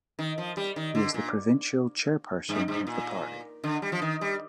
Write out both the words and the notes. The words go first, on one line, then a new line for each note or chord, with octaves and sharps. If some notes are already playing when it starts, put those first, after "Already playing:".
He is the Provincial Chairperson of the party.
D#3
F3
G3
D#3
D3
A#2
G2
G2
A#2
D3
G3
F3
D#3
G3